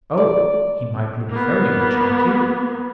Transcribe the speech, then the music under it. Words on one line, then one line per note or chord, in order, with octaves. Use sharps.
"Oh, he might look very much like you."
D5
A#3 B3